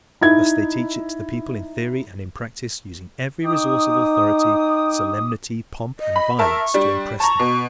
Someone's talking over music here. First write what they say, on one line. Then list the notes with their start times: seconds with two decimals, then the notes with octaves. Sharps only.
Thus they teach it to the people in theory and in practice, using every resource of authority, solemnity, pomp, and violence to impress them.
0.21 D#4 E4 G#6
3.44 D#4 G5 D6 D#6
6.00 D#5
6.16 B5
6.39 A#4 E5 A5 C#6
6.74 G3 D4
7.20 A5 A#5 C#6
7.39 B2